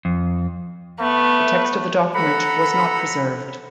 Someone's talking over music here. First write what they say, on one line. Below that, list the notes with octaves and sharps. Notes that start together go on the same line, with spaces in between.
The text of the document was not preserved.
F2
A3 B3
A4 F#5 A#5 B5